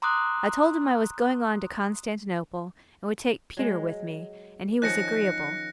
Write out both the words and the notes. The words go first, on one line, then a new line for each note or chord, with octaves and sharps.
I told him I was going on to Constantinople and would take Peter with me, and he was agreeable.
A#5 C6 D6 D#6 F#6
F#3 G#3
D#3 F3 C#4 F#6 A#6 C#7